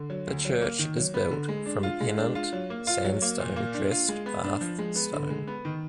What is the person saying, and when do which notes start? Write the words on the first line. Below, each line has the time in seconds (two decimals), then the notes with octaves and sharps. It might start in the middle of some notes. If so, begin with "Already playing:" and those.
The church is built from Pennant sandstone dressed Bath stone.
Already playing: D3
0.10 F#3
0.27 D2
0.45 F#3
0.62 A#3
0.79 D#3
0.97 F#3
1.14 B3
1.31 D3
1.48 G#3
1.66 D4
1.83 F4
2.00 G#3
2.18 D4
2.35 F4
2.53 F#3
2.70 A#3
2.87 F4
3.05 F#3
3.22 A#3
3.39 A#2
3.56 A#3
3.74 D4
3.91 F4
4.08 G#3
4.26 B3
4.44 D4
4.61 F3
4.78 G#3
4.95 B3
5.13 D3
5.30 G#3
5.47 B3
5.65 D#3